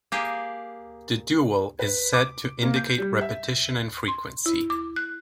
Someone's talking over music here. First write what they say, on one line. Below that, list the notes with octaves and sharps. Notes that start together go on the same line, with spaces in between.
The dual is said to indicate repetition and frequency.
A#3 G4 G#4
B4
D6
A#3
G6
G3
E5
C6
E4
D6
F#6